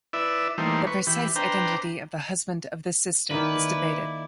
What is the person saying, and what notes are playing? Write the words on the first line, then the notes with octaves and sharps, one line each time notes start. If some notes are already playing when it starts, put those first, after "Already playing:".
The precise identity of the husband of this sister is debated.
E4 B4 D5 E5
E3 G3 A3 A#3 D#4 C5
B4 C#6
E3 G4 B5
D4 B4 C5 G5 A#5
D#3 A#3 E4 B4 D5